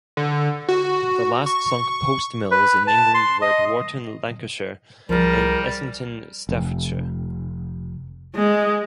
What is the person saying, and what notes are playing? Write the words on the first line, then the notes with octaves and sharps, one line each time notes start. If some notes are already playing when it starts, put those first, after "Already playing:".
The last sunk post mills in England were at Warton, Lancashire, and Essington, Staffordshire.
D3
F#4
C#6
B4
A5
C6
D#5
C2 F3 G3 G#4 A#4
F1
G#3